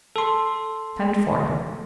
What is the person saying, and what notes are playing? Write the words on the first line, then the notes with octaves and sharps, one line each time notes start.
Send for him.
A4 C6